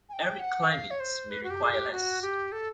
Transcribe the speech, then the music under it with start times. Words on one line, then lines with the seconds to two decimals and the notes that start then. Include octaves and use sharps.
Arid climates may require less.
0.09 G#5
0.13 G5
0.40 F#5
0.71 F5
0.91 C#5
1.00 C5
1.30 B4
1.44 F#4
1.50 G4
1.63 G#4
1.71 G4
1.92 F#4
2.22 G4
2.52 A4